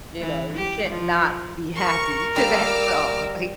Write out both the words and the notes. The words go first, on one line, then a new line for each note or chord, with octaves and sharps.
you know, you can't not be happy to that song, like,
E3
G4
F3
A#4 C#6
G3 A#3 D6 E6 F6